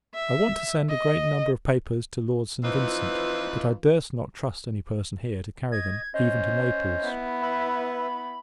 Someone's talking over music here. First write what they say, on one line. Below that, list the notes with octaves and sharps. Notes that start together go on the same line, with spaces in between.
I want to send a great number of papers to Lord St. Vincent; but I durst not trust any person here to carry them, even to Naples.
E5
D#5
E3 F3 C4 D#4 F4 B4
D#5 G#6
C#4 C5 D#5
B3 E4
B4 E5 B5